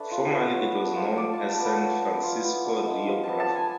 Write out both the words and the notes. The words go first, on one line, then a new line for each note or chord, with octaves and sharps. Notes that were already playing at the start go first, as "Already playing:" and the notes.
Formerly it was known as San Francisco Rio Bravo.
Already playing: A3 D4 B4
F4
B3
F#3
D4
F4
D4 D5
F4 A5
A5
B3
B5
F#3
D4
F4
B3
D4
G#3
F3
A5
B3
A5
D4
G#5